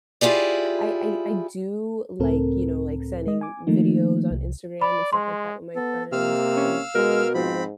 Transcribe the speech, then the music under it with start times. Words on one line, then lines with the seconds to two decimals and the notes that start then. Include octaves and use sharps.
I I I do, like, you know, like sending videos on Instagram and stuff like that with my friends, um,
0.21 E4 F4 G4 G#4 D5
2.20 C#2 A2 C4 A4 A#4
3.27 G#3 D#5
3.41 G#5 D6
3.67 D#3 F3 A3 A#3 D#4
4.31 C2
4.81 D5 B5
5.13 G#3 C6
5.76 B3 A4
6.12 C3 A#3 F5 E6 F6
6.57 C#4
6.95 B2 G#3 A#4
7.35 G#2 F3 C4 B5